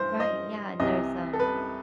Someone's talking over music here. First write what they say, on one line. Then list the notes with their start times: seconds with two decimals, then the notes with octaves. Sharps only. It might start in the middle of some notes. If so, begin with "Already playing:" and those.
Right, yeah, and there's, um
Already playing: G2 E3 C5
0.20 D#5
0.80 C2 C3 E3 D#5
1.33 A4
1.40 B4